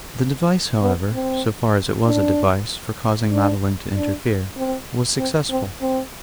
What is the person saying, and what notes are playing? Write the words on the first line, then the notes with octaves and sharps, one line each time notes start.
The device, however, so far as it was a device for causing Madeline to interfere, was successful.
B3
C4
D4
D4
D4
C4
C4
C4
C4